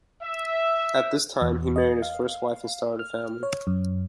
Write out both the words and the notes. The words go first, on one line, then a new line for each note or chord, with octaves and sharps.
At this time he married his first wife and started a family.
E5
E2
D#5
F5
F6
C#5
F#2